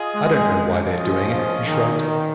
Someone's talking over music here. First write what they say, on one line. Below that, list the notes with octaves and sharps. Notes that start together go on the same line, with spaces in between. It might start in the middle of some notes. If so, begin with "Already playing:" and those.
"I don't know why they're doing it," he shrugged.
Already playing: F4 G#4 D#5
G#3
F3 C#4 F4 G#4 D#5
F3
D#3